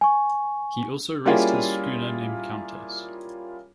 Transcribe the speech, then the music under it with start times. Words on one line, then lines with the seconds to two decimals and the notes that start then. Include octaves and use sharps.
He also raced his schooner named "Countess".
0.01 G#5 C#6
1.26 G3 A#3 C#4 E4 F4 G#4